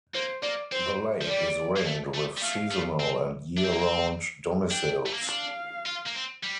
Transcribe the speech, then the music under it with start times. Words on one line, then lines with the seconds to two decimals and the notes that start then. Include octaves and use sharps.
The lake is ringed with seasonal and year-round domiciles.
0.14 A#3 C5
0.43 A#3 D5
0.72 C4 C5
1.21 F3
1.29 G3 D5
1.76 A#3
1.86 A3
2.14 A3
2.37 G3
2.42 A3 F5
2.71 A3
3.00 C4
3.57 D4 E5
3.64 C4
3.71 A#3
3.78 C4
4.71 D4 G5
5.06 A3
5.13 A#3
5.21 C4
5.28 D4 F5
5.86 F4
6.06 A#3
6.15 C4
6.43 G3